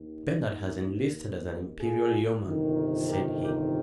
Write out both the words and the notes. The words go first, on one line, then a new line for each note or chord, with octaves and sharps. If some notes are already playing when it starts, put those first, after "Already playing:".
"Bernard has enlisted as an Imperial Yeoman," said he.
Already playing: D#2 D#3
F4 G#4
G1 F2 C3 D#3
G4 A#4
G4 A#4